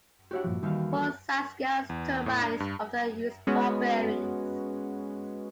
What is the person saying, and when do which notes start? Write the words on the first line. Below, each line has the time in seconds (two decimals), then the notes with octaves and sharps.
Full-size gas turbines often use ball bearings.
0.31 D4 E4 F#4 G4 C#5 F#5
0.44 G2 A#2 F3
0.62 D#2 D#3 E3 G3 F5
0.93 A4
1.89 E2
2.26 A2
2.42 D4
2.60 G2
3.47 G#3 B3 C#4 F#4